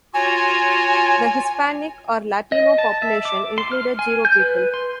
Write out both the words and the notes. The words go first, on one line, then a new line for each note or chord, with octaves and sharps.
The Hispanic or Latino population included zero people.
F4 F#4 C#5 G#5
D#5
A5
E5
D6
C6
F6
G#5
G6
B4
C6